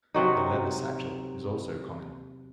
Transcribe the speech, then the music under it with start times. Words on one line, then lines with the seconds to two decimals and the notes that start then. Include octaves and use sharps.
The leather satchel is also common.
0.14 C3 F#3 D#4